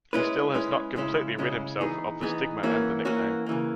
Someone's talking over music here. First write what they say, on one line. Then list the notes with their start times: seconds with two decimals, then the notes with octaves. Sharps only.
He still has not completely rid himself of the stigma and the nickname.
0.13 G#3 C#4 E4 B4
0.54 G#3 C#4 E4 B4
0.96 C#3 G#3 C#4 E4
1.38 C#3 G#3 C#4 E4
1.81 E3 B3 D#4 G#4
2.21 E3 B3 D#4 G#4
2.63 E3 A#3 C#4 F#4
3.05 E3 A#3 C#4 F#4
3.46 C#3 E3 A#3